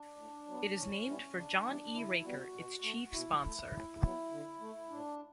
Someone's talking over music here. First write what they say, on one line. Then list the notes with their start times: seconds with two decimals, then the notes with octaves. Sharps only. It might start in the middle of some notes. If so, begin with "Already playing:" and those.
It is named for John E. Raker, its chief sponsor.
Already playing: D4
0.16 A2
0.47 F#3 B3
0.76 A2 C#4
1.05 E3 G3 B3
1.35 C#3 D4
1.65 E3 G3 B3
1.94 D3 E4
2.23 G3 B3 F#4
2.54 B2
2.83 A3
3.13 B2 E4
3.43 A3
3.72 A2
4.01 F#3 B3
4.31 D3
4.61 A3
4.90 A2 D4